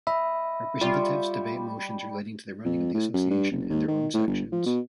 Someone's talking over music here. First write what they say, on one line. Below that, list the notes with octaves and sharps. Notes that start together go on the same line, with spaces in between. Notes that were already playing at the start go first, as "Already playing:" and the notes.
Representatives debate motions relating to the running of the association and their own sections.
D#5 E5 B5
G3 F4 C#6 D6
F2
A2
F#2
G2
F#1
D#2
D#3
A2
G1
F3
B2